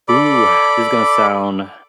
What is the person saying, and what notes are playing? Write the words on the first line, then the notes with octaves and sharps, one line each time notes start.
Ooh, ah, this is gonna sound
A4 D5 B5 D6